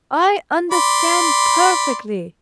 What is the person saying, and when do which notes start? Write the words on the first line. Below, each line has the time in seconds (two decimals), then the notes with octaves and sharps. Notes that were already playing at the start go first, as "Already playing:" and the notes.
I understand perfectly.
0.72 D5 B5 C6